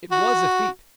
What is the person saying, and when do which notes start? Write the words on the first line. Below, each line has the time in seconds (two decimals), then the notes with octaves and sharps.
It was a feat.
0.11 F#4